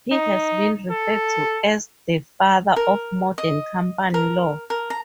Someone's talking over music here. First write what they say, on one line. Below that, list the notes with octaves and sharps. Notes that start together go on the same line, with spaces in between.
He has been referred to as "the father of modern company law".
D#4
A4
A#4
D#5
A#4
A#4
A#5